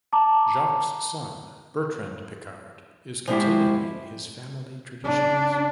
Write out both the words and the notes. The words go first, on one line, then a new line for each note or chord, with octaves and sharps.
Jacques's son Bertrand Piccard is continuing his family traditions.
A5 A#5 D6
F3 G#3 C4 E4 F#4 G4
C#3 D4